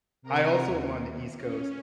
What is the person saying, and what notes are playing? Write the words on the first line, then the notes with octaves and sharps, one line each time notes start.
I also am on the East Coast, t
C3 A#4 A#5
D#2
C#4